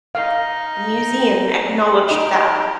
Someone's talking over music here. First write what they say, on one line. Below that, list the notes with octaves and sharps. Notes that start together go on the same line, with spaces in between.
The museum acknowledged that.
D#4 F5
D#4 G4